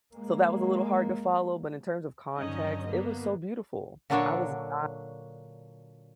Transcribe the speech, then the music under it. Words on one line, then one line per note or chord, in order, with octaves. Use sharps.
so, that was a little hard to follow, but in terms of context, it was so beautiful. I was not
G#3 A#3
G2 D3 F#3 C#4 D#4 D#5
A#3 B3
A#2 D3 F#3 D4 A4 C#5